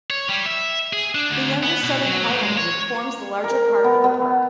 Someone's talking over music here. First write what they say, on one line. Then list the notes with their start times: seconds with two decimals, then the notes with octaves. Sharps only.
The younger Southern Highland Group forms the larger part of the park.
0.10 C#5
0.29 G3
0.46 E5
0.93 G#4
1.15 D4
1.30 D2
1.63 B3
1.84 B2
2.05 F#3
2.30 A2
2.43 G#3
2.58 C#5
3.44 A#4
3.84 B3
4.04 B3